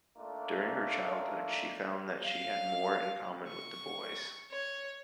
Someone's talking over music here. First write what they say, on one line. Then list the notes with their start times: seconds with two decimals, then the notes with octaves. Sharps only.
During her childhood, she found that she had more in common with the boys.
0.17 A3 A#3 D4 D#4 F4
2.25 F5
3.49 C#6
4.52 C#5